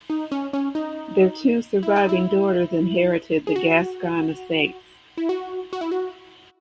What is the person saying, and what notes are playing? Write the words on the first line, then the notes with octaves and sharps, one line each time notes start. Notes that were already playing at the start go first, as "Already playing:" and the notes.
Their two surviving daughters inherited the Gascoigne estates.
D#4
C#4
C#4
D#4
E4
D#4
E4
G#4
F#4
E4
F#4
F#4
E4
F#4